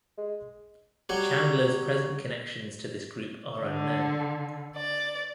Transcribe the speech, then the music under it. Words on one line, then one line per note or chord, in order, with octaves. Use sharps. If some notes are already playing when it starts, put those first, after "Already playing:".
Chandler's present connections to this group are unknown.
G#3
F#3 G3 C#5
D3
D5